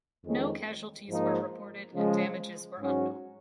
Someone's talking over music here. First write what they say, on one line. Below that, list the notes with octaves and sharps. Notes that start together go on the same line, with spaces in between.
No casualties were reported and damages were unknown.
F2 D#3 G#3 C#4
G#2 F3 A#3 D#4
C#3 F3 G#3
G#2 F#3 C#4 F#4